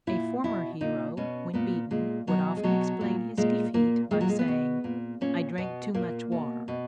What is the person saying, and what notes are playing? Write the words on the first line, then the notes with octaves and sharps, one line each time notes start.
A former hero, when beaten, would often explain his defeat by saying: "I drank too much water."
A#2 E4
B2 E4
A#2 D#4
B2 C#4
A#2 B3
A#2 G#3
B2 F#3
G#3
B2 F#3
A#2
A#2 G#3
A#2 A#3
A#2 G#3
F#3
G#3
B3
B2
A#2
A#2 C#4
B2 B3
A#2 A#3
B2
B2